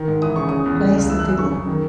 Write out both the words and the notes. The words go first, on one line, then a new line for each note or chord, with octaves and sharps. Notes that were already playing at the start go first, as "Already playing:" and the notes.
Plays the fiddle.
Already playing: D#3
G#2
E3 D#6
C#3 C#6
C#3 D#6
E2
C#3
C#2
E3 E6
F#6
F#2 E6
C#3 C#6
F#2
D#3